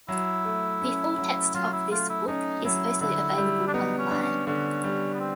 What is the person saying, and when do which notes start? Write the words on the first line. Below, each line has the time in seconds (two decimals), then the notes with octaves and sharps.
The full text of this book is also available online.
0.09 F#3 E4
0.45 A3
0.81 C#4
1.18 F#3
1.54 F#3 F4
1.73 E4
1.91 A3 F4
2.10 E4
2.27 C#4 D#4
2.65 F#3 E4
3.01 D3 E4
3.38 G3
3.68 D4
3.74 B3 D#4
3.98 C#4
4.11 D4
4.22 C#4
4.47 D3 C#4
4.84 G3
5.14 B3
5.20 C4